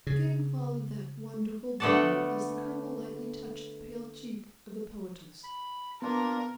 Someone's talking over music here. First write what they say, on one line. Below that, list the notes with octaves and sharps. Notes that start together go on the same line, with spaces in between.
Again followed that wonderful bow, as the Colonel lightly touched the pale cheek of the poetess.
C#3
D3 A3 B3 D5 F#5 A5
B5
A#3 B3 D4 F4 A#4